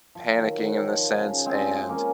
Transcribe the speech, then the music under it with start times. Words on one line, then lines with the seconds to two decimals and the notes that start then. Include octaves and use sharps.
panicking in a sense, and,
0.15 F3
0.37 D#3 F#3
0.58 D#3 F#3
0.77 D#3
0.88 F3
1.17 C#3
1.46 G#3 C4
1.89 A#3 C#4